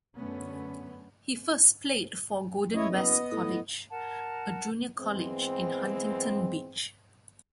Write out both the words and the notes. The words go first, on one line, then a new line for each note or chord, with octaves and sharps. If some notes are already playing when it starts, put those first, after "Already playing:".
He first played for Golden West College, a junior college in Huntington Beach.
F#2 D3 A3 B3 C#4
A1 E4 C#5 D#5
F#1 B3 D#5
A2
A#4 F#5 A5
E3 G#3 B3 C4